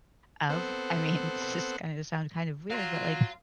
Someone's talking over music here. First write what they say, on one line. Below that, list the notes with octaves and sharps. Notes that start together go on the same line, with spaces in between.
of I mean, this is gonna sound kind of weird, but, like,
B3 C4 A4 C5 F#5
F#3 F5 C6